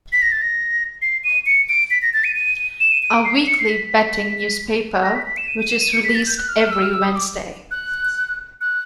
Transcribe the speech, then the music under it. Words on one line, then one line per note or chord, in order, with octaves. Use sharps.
A weekly betting newspaper which is released every Wednesday.
B6
A#6
A6
A#6
C7
D#7
C#7
D7
B6
A#6
A6
D#7
D#7
E7
D#7
D#7
D7
C7
C#7
C7
B6
A#6
B6
B6
E7
D#7
D#7
E7
D#7
C#7
B6
A6
G6
F#6
F6
F6
E6
F6
E6
D#6
D6
F#6
F#6